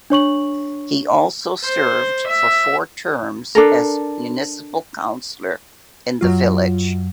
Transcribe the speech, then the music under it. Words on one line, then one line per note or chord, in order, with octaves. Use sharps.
He also served for four terms as municipal councilor in the village.
D4 C#5 C#6 F#7
C5
E5
D4 A4 A#4
F#2 F#3 F4